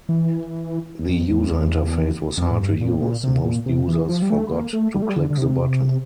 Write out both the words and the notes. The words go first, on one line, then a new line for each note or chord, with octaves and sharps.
The user interface was hard to use - most users forgot to click the button.
E3
F2
E2
E2
F2
A2
G2
A#2
A#2
C3
A#2
C3
E3
F3
G3
A3
A#3
A3
G3
A3
G3
D3
D3
C3